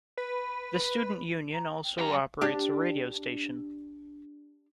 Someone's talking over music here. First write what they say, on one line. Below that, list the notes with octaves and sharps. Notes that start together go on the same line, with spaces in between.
The student union also operates a radio station.
B4
A#5
G5
F#2 G4 F5 G#5 A#5
D4 G4